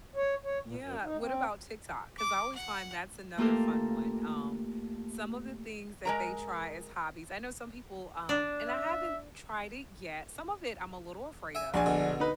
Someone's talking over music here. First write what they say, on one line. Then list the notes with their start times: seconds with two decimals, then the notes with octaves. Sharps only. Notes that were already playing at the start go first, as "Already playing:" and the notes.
Yeah. What about TikTok? 'Cause I always find that's another fun one, um, some of the things that they try as hobbies I know some people, um and I haven't tried it yet some of it, I'm a little afraid of,
0.16 C#5
0.45 C#5
0.65 A#2
0.80 F#2
1.03 D#4
1.20 C4
2.18 D6
2.55 F#5
3.38 A3 A#3 F4 G4 A4 A#4
6.05 G#3 A#4 A#5
8.29 D4
8.68 E5
11.55 E5 G#5
11.74 A#1 D4 F#4 G#5
11.86 B2 D3
12.20 D#4 B4